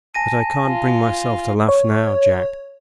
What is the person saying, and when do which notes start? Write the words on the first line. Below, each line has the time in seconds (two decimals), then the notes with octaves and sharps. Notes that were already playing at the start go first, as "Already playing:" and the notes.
But I can't bring myself to laugh now, Jack.
0.15 G#5 A5 A#6 D#7
0.67 F4
1.69 C#5